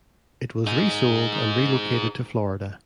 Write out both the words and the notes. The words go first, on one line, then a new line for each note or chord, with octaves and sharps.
It was resold and relocated to Florida.
D#4 G#4